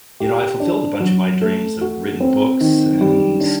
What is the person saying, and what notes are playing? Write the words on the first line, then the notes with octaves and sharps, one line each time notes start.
you know, I fulfilled a bunch of my dreams. I've written books and
G4
D4
F#3
A3
F#4
C4
D#3
G3
D4